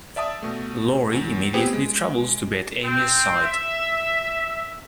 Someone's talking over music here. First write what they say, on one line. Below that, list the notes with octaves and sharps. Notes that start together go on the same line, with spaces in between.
Laurie immediately travels to be at Amy's side.
D5 E5 A5 D#6
B2 A3
E2
B3 C4 G4 G#4 B4 C5
G#3
C4
E5